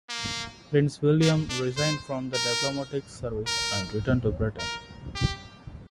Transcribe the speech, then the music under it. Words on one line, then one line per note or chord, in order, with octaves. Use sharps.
Prince William resigned from the diplomatic service and returned to Britain.
A#3
A#3
D4
C5
A#4
A#4
A#4
G4